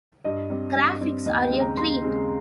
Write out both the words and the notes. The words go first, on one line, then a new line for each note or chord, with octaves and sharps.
Graphics are a treat.
G2 D#5
G3 C4
G2
G3 C4
D#2 D#5
G5
C#3 G#3 C4
A#5
D#2 C6
C#3 G#3 C4